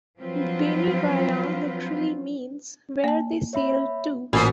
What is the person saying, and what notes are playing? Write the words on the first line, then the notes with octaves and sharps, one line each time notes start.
"Binirayan" literally means ""where they sailed to"".
F3 F#3 C4 F4 B4
A#3 A5
C#5 E5 B5
A1 F#2 A#2 F#4 A#4 C5 G#5 B5